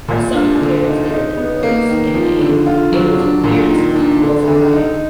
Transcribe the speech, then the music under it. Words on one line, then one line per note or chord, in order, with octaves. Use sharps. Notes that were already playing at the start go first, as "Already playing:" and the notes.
I saw my parents get a divorce and it it was weird to me because I'm, like,
A#2
D4
D3
D#4
D#4
B3
A#3
D#3
F3
D3
F4
F#3
D4
A#2
D#3
D4
D3
D3
D#4